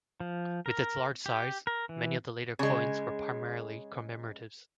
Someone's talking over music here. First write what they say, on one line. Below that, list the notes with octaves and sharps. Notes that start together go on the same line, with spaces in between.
With its large size, many of the later coins were primarily commemoratives.
F3
A#4
G4
A#4
E3
C#3 G#3